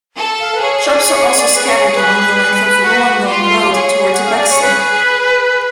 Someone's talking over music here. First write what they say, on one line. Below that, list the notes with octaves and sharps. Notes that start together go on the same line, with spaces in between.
Shops are also scattered along the length of Wollongong Road towards Bexley.
A4
F5
B4
G#4 C#5
D5
C#5
D5
B4
C#5
B4
F#4
F4
G#4 C#5
F#5
F5
D5
C#5
B4